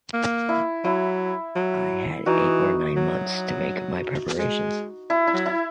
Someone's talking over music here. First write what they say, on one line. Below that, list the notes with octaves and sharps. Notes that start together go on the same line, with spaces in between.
I had eight or nine months to make my preparations.
A#3
E4
F#3 E4
F#3
E3 D#4 F#4
F#3
G#3
E4
E4
F#3
E4